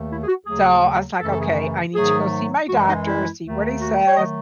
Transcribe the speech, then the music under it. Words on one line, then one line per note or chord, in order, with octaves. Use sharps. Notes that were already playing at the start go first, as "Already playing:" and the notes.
So, I was like, "Okay, I need to go see my doctor, see what he says,"
Already playing: D#2 D#3 A3
E4
G#4
F#4
D#2 C#3 F#3 A3 G#4
F#2 C#3 E3 A3 A4
A4
G#4
G#2 D#3 F#3 A3 G#4
F#2 E3 G#3 F#4
D#4
E4
D#2 D#3 A3
F#4
C#5
D#3 F#3 A3 D#5